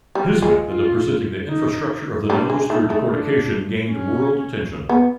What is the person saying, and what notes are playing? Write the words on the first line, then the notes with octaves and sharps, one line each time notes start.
His method of presenting the infrastructure of the nose through decortication gained world attention.
G3
F4
G#3
F4
D#4
G3 D4
G#3
A3 D#4
A3
D4
C#4
B3